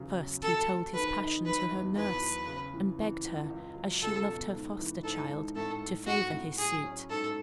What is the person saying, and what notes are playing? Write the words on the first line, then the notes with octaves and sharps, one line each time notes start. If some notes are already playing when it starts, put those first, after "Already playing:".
First he told his passion to her nurse, and begged her as she loved her foster-child to favor his suit.
Already playing: E2 C#3 F#3
F#3
F#4 A4
A3
D#3 B4
D#4
F#3 B4
E2
E2 B4
F#3
C#3
E3
E3
C#2
C#2
F#3
C#2 A4
B2
G#2
E3
G#2 A4
G#2
A2 A4
A3
A2 F#4
A2
F#3 G#4
C#4
G#2 A4